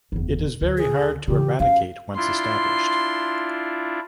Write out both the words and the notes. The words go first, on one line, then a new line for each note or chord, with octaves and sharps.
It is very hard to eradicate once established.
F#1 E2
D2
G#4
C#3 E3 G4
F#2 F5
D4 E4 F4 C6